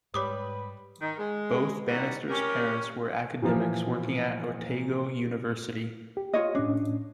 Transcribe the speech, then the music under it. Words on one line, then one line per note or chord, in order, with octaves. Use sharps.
Both Bannister's parents were academics working at Otago University.
G#2 G3 G#3 B4 C#5 B5 D6 D#6
D#3
G#3
B2 D#3 G3 C#4 E4 F#5
C#4 G4 A#4
A#2 E3 F3 A#3
G4
F4 C#5 D#5
A2 C#4 D4